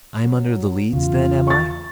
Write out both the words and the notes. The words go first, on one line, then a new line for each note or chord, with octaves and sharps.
"I am under the Leads, then, am I?"
F#3
E2 C#3 F4
C#6 A6